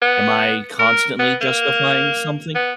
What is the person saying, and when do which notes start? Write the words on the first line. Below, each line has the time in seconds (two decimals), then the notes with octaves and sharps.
Am I constantly justifying something?
0.02 B3
0.79 A#4
1.19 B3
1.41 A#3
2.55 B3